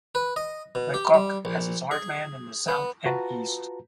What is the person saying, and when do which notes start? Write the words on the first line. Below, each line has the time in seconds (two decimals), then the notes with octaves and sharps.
Le Coq has its heartland in the south and east.
0.15 B4
0.36 D#5
0.75 B2
0.94 G4
1.14 G3
1.45 A#1
1.91 G#4
2.68 B3
3.06 F4 F#4 B4 A5 A#5